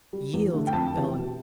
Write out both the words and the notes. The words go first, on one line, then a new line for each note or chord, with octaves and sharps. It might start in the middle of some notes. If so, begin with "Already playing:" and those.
"Yield, fellow!"
G3
E2
D3 A3
G5
F2 A5
C3 E3
B2